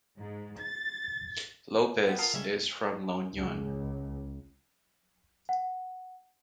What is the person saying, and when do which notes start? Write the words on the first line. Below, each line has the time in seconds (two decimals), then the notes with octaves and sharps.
Lopez is from La Union.
0.18 G#2
0.58 A6
2.06 G3 B3
2.18 F4 A#4 F#5 A5 D#6
2.34 C#3 G3 G#3 C#4 E5
3.34 C#2
5.49 F#5